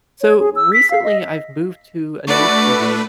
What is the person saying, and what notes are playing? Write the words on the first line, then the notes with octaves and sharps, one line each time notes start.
So, recently I've moved to a new city,
C#5
G#4
E6
B6
F5
D#5
A3 D4 F#4 B4 D5